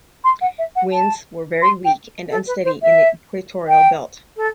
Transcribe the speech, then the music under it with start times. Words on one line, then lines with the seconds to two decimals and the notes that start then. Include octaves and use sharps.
Winds were very weak and unsteady in the equatorial belt.
0.24 C6
0.41 F#5
0.58 E5
0.76 F#5
0.93 A5
1.62 C6
1.85 G5
2.31 A4
2.47 B4
2.65 C5
2.83 E5
3.69 G5
4.37 A4